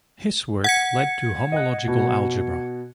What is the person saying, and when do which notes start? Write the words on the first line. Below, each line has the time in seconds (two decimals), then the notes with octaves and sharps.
His work led to homological algebra.
0.64 F#5 G#6 C#7
1.52 D#5 F#6
1.88 B2